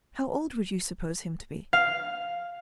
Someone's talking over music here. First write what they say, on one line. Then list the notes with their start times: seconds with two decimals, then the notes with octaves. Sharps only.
"How old would you suppose him to be?"
1.73 F5